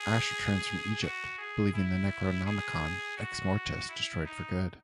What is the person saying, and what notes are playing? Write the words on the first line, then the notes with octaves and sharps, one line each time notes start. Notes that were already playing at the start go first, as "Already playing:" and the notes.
Ash returns from Egypt, believing the Necronomicon Ex-Mortis destroyed for good.
Already playing: G#4
F#4
G#4
E4
G#4
F#4
E4
D#4